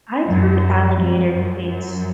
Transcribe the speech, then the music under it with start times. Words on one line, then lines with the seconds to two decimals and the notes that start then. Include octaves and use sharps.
I've heard alligator taste
0.28 F#2
0.98 F2
1.33 F#2
1.67 F#2